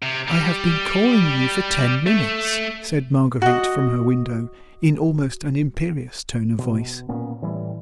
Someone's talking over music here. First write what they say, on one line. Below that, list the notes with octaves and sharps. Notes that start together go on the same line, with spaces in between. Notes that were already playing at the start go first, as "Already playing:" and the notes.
"I have been calling you for ten minutes," said Marguerite from her window, in almost an imperious tone of voice.
C3
G3
A3
F#4 D#5
B2
A#2 A#3 B3 C#4
A2 E3 G3